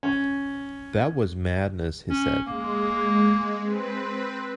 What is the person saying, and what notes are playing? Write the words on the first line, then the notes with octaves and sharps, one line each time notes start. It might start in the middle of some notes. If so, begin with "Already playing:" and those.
"That was madness," he said.
C#4
C#4
G#3 A#3
C4 B4